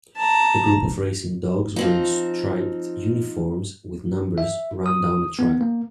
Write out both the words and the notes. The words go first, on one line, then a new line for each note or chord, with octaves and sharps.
A group of racing dogs wearing striped uniforms with numbers run down a track.
A5 A#5
F3 C4 D#4
E5
D#6
B3
A#3